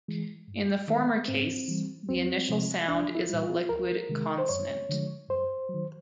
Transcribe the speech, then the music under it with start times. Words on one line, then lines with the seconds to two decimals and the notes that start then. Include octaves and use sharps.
In the former case, the initial sound is a liquid consonant.
0.08 E3 G#3
0.48 G2
0.88 D#3 G#3
1.28 G#2 C4
1.68 E3 G3
2.09 E2 C4
2.49 C3 F3 G#3
2.88 C2 D4
3.15 E4
3.29 A#2 G3
3.43 F4
3.69 C#2 A#4
4.09 C3 D#3 G#3
4.38 C5
4.49 F#2 C#5
4.89 D3 F3 G#3
5.29 F#2 C5
5.69 F#3
5.74 D#3